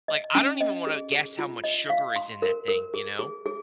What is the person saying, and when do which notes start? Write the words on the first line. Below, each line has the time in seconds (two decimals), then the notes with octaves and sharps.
like, I don't even wanna guess how much sugar is in that thing, you know?
0.08 D#5
0.35 C#4
0.61 D#5
0.87 G#4
1.12 G#4
1.39 F4
1.64 D#5
1.90 F5
2.16 C6
2.42 A#4
2.68 A#4
2.94 G#4
3.19 G#4
3.46 G#4